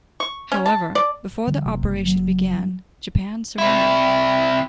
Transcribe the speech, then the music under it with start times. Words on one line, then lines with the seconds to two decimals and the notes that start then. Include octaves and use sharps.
However, before the operation began, Japan surrendered.
0.20 C#6
0.52 C#4
0.66 A5
0.95 D5
1.47 D3 E3 G3
1.66 F#1 C3
2.06 F#3
3.58 C3 E4